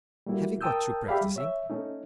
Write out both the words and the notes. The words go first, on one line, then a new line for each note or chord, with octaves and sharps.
Have you got through practising?
G3 A3 A#3 E4 F#4
A#4 G5 A5 D#6 E6 G6
G4 G#4 D5 E5 F5 B5
G3
C#5 E5
A3 C#4 D#4